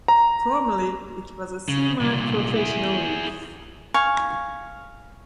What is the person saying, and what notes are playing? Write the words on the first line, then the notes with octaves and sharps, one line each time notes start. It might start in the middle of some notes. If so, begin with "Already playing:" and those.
Formally, it was a semi-professional league.
A#5
C#3
C2 A#2
E4 G#4
F5 G#5 C#6